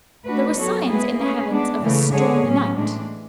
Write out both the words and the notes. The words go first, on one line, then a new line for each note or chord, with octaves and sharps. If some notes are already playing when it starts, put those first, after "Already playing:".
There were signs in the heavens of a stormy night.
A3 D4 F#4 B4
F#3 B3 F#4 A4 C#5
G#3 B3 E4 G#4 B4
A3 C#4 G#4 B4
G#3 B3 D4
C#3 E3 A3
D3 G#3 D4 G#4 C#5
A2 F#3 C#4
A2 E3 G#3 D4